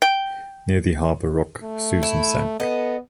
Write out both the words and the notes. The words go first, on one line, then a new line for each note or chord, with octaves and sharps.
Near the Harbour Rock "Susan" sank.
G5
A3
E4
B3 A4 D#5